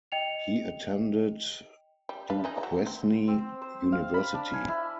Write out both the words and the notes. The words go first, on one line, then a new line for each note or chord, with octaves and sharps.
He attended Duquesne University.
D#5 G5 C#7 F7
G3
D4 B4 F5
E3 D#4 G#4
F#3
C4
C4
C5
F5
B5
D4
G#5
E4